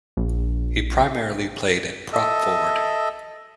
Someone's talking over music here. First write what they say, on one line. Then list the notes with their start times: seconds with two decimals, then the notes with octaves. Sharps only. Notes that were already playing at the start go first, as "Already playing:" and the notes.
He primarily played at prop-forward.
0.17 A#1
2.13 A4 D#5 E5